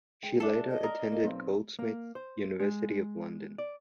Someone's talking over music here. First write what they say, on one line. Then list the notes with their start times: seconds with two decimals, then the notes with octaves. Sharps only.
She later attended Goldsmiths, University of London.
0.23 G#3 G5
0.40 D4 G#4 A4 E5
0.69 D#5
0.84 A#4 D#6
1.11 A3 A#3
1.25 B1 C4
1.79 A#3
2.15 C5
2.60 G#3
3.58 D5